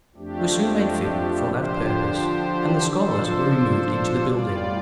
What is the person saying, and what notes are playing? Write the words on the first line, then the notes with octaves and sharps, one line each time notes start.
It was soon made fit for that purpose, and the scholars were removed into the building.
F2 F3 A3 D4 G4
D3 F3 D4 G4 C5
F3 D4 A4 C5
A2 G3 F4 D5